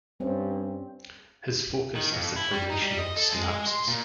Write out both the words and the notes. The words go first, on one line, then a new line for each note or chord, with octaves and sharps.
His focus is the formation of synapses.
G2 C4 C#4
D#3
F2
E4
G3
D#4
G3
D#5
A4
G#3
G#3
C6
A#2